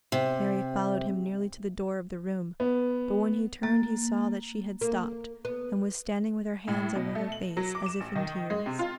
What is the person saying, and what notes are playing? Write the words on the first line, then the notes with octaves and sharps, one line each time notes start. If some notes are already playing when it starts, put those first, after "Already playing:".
Mary followed him nearly to the door of the room, but when he turned he saw that she had stopped, and was standing with her hands over her face, as if in tears.
C3
B3
A#3 A6
A#3
B3
A2
B2
A3
F#7
F#3
D6
E7
A1
D#3
G#3
C3
F4